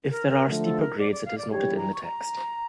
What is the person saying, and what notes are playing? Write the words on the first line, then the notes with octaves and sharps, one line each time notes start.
If there are steeper grades it is noted in the text.
A#4
A#4
D3 F3 A3
A4
A#4
D5
D5
F5
D5
E3 G3 D4 G4 C#5
A#5
C#6
A#5